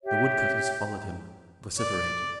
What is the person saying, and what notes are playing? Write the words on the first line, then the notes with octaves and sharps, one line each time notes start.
The woodcutters followed him, vociferating.
G4 C#5 E5
D5